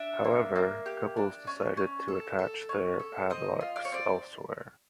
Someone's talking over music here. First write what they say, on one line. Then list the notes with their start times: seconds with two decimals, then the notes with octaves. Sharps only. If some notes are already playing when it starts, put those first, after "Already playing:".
However, couples decided to attach their padlocks elsewhere.
Already playing: D4 E5
0.24 A#3
0.56 A#3
0.86 G4
1.16 D4
1.47 C#4
1.77 C#4
2.08 A4
2.39 A4
2.69 C#4
3.00 A4
3.30 C4 D#5
3.61 F4
3.76 D5
3.85 C#5
3.92 C4 D5